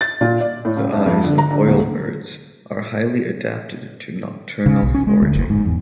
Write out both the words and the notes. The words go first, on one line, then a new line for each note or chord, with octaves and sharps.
The eyes of oilbirds are highly adapted to nocturnal foraging.
A6
A#2
D5
A2
C#2
F#1
F2
D3
A#5
D3
D#1
C#3
B1
C#4
G#3
D2
F#1
G#2
E2